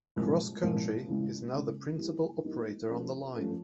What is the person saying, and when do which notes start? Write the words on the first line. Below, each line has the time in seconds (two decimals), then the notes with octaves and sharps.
CrossCountry is now the principal operator on the line.
0.16 C2 A#2 F3 G#3
0.62 C2 A#2 F3 G#3
1.07 C#3 E3 G#3
1.52 C#3 E3 G#3
1.98 E3 G3 A#3 D#4
2.44 E3 G3 A#3 D#4
2.90 F3 A3 C#4 F4 A4
3.35 F3 A3 C#4 F4 A4